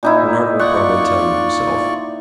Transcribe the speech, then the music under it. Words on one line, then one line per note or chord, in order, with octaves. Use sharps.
Bernard will probably tell you himself.
A#2 D#4 E4
F4 D5 F#5 C#6